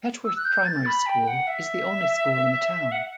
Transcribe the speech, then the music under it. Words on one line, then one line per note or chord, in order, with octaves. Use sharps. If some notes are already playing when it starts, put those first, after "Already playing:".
Petworth Primary School is the only school in the town.
E6
F#6
G6
A6
B5
G5
F#5
E5
F#5